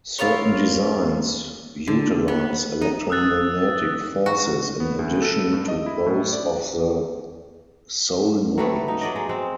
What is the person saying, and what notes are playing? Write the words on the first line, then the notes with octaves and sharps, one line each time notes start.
Certain designs utilize electromagnetic forces in addition to those of the solenoid.
E4 F4 A#4 C#5
D3
B3
D#4
D#6 E6 F#6 A6
F#4
B3
D2
A4
G2
D#5
E4
A2
D5
F#3 G3 A3 B3
D#4
F#3 D5 D#5
G#3
G#3 C4